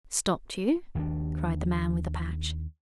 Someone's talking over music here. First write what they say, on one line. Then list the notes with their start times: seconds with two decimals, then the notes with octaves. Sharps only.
"Stopped you?" cried the man with the patch.
0.95 D#2 D#3 F3 D4